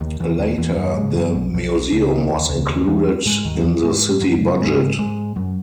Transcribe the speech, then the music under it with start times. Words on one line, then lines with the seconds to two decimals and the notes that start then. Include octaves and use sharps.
Later the museum was included in the city budget.
0.01 D#2 D#3
0.20 E2 E3
0.39 D#2 D#3
0.58 E2 E3
0.77 F#2 F#3
0.96 G#2 G#3
1.15 F#2 F#3
1.35 B1 B2
1.54 B1 B2
1.92 C#2 C#3
2.30 D#2 D#3
2.49 C#2 C#3
2.68 D#2 D#3
2.87 E2 E3
3.25 G#2 G#3
3.45 D#2 D#3
3.55 F#3
3.64 E2 E3
3.83 G#2 G#3
4.21 F#2 F#3
4.60 G#2 G#3
4.99 G#2 G#3
5.36 F#2 F#3